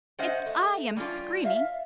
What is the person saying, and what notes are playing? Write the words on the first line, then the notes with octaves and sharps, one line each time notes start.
It's I am screaming.
G#3 C#4 C5 D#5 E5 F#5
A3
G3 C#4 D4 F4
E5 F5